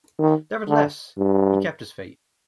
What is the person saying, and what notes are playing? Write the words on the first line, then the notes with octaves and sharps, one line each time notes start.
Nevertheless, he kept his faith.
D#3
D3
G2